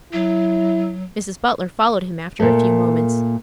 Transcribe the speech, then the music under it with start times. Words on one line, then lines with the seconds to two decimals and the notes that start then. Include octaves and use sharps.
Mrs. Butler followed him after a few moments.
0.13 F#3 E4
2.40 A#2 A3